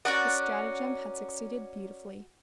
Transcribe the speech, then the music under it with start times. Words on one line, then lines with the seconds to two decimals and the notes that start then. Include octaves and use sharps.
His stratagem had succeeded beautifully.
0.05 C#4 F#4 A#4 D5 F#5